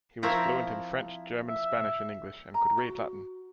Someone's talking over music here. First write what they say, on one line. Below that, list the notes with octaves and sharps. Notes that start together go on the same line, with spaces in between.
He was fluent in French, German, Spanish, and English and could read Latin.
F3 C4 E4 A#4 A#5 C#6
E5
A#5
F#4